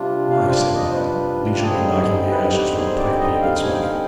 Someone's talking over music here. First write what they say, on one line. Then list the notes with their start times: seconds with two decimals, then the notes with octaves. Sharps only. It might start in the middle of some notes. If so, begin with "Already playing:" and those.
'Why?' said Bob, leisurely knocking the ashes from the pipe he had been smoking.
Already playing: C3 G3 D4 F4
0.30 F5
0.48 C5
0.53 D5
0.74 D#5
0.89 C5
0.97 B4
1.59 G4
1.63 D3 G3 C4 D#4 G#4
2.30 B4
2.52 G4
2.74 G#4
2.85 C5
2.97 D5
3.18 D#5
3.33 G5
3.41 F5
3.62 G#5
3.73 G5
3.82 F5
3.91 G5